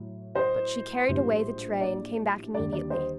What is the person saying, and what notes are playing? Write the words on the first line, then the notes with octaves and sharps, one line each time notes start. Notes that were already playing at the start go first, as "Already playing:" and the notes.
But she carried away the tray and came back immediately.
Already playing: A2 F#3
C5 D#5
A#1 A2 G3
D5
D#2 D3 G3 D5
D5
C5 D#5